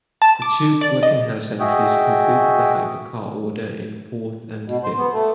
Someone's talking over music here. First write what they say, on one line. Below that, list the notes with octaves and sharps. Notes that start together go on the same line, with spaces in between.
The two Glickenhaus entries completed the Hypercar order in fourth and fifth.
A5
D6
D5
D#5
F#4 G#4 D#5 E5 G5
B2
C5
B3
A3